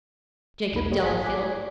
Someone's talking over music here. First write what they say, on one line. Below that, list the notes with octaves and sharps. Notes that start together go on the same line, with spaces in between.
Jacob Delafield?
B1 E2 D#4 B5
G3 G#3 A#3 G4 C#5 D#5
A1 G#2 G#4 C#5 B6
G#5 D6 F#6 G#6 B6
D5